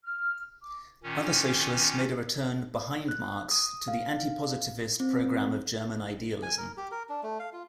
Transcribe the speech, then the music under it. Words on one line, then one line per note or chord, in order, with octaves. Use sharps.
Other socialists made a return 'behind Marx' to the anti-positivist programme of German idealism.
F6
D6
A#2 D#3 C#4
F#6
D#6
F5
C4
G#5
A#4
G4
A#4
D4
A3
F5
F4